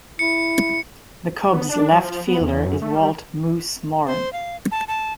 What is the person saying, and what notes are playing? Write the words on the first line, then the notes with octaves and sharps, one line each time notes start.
The Cubs left fielder is Walt "Moose" Moryn.
E4 C#7
B3
D4
F#3
F3
B3
E2
F#2
A3
G3
C5
F5
A5
A5